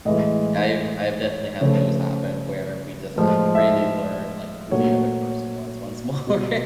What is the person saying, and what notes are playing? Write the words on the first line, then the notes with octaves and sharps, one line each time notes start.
I've I've definitely had those happen, where we just had to really learn, like, who the other person was once more.
A2 E3 G#3 D#5
C#5
C#3 F3 A3 C#5
A2 F3 G#3
E5
A#2 F#3 A3 C#5
B2 G3